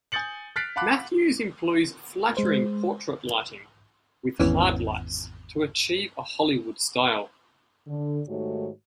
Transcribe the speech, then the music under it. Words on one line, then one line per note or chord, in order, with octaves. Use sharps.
Matthews employs flattering portrait lighting with hard lights to achieve a Hollywood style.
G#5 D#6 G6 A6 C#7 F#7
F6 F#6 A6 B6 C7 D7
F5 F#5 A5 B5 D6 F#6
G#3 C5
G#1 E2 E3 C#4
D3
G#2 D#3 A3 F#4 G4 C#5